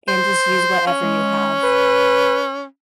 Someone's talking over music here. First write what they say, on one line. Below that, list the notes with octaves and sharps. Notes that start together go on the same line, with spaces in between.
and just use whatever you have.
C5
C#4
G#3
B4